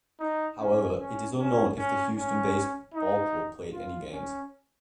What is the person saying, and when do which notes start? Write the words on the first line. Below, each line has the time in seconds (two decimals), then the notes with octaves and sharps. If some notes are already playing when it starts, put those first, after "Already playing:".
However, it is unknown if the Houston Base Ball Club played any games.
0.20 D#4
0.59 C#4
0.98 C#4
1.37 C#4
1.77 C#4
2.16 C#4
2.94 D#4
3.72 F4
4.12 C#4